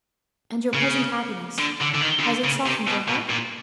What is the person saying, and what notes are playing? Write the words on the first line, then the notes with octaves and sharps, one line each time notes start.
"And your present happiness, has it softened your heart?"
C#3
D3
D3
D3
D#3
C#3
D3
C#3
C3
B2
B2
A#2